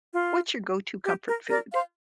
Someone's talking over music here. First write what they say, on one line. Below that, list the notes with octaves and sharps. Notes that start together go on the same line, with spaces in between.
what's your go to comfort food?
F4
G4
A#4
A#4 D5
C5 F5